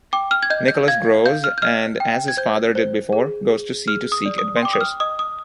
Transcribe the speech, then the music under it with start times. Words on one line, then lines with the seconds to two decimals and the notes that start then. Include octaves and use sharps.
Nicholas grows, and as his father did before, goes to sea to seek adventures.
0.13 G5 D6
0.31 F6
0.43 G#6
0.50 D#5 G6
0.68 G6
0.88 F5 G#6
1.26 F5 G6
1.44 F6
1.58 G6
1.62 D#5 F6
2.00 G5
2.28 G#6
2.37 C5 G6
2.75 C5
3.13 G#4
3.50 G#4
3.88 G#4 F6
4.12 D#6
4.26 D5
4.38 D#6
4.57 C6
4.63 G5 D6
4.73 D#6
4.81 F6
5.00 D#5 D#6
5.19 D#6